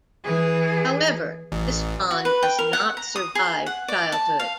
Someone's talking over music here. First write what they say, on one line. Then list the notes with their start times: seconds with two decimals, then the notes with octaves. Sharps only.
However, this bond does not survive childhood.
0.24 E3 G#4
1.52 A1
2.11 F#4
2.25 B4
2.43 G5
2.59 A#4
2.73 F#5
2.97 A#5
3.16 D#6
3.35 G#4
3.66 F#5
3.88 D5
4.12 A5
4.39 F5